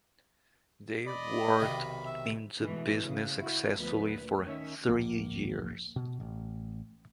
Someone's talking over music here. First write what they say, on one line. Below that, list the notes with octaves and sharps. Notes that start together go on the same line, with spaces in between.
They worked in the business successfully for three years.
D5 D#5 B5
B1 C3 D#3
E5
B2 E3 G#3 A3
C#3
E4 F#4
D2 F3 B3 B4
A#2
D#3 C#4 E5
D1 A#1 A#3
B2
A1